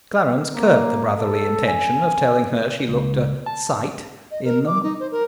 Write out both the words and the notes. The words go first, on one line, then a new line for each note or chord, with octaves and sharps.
Clarence curbed the brotherly intention of telling her she looked "a sight" in them.
A#3
A4
G#5
C#2
A5
D#5
A#4
D6
D#4
C5
A#4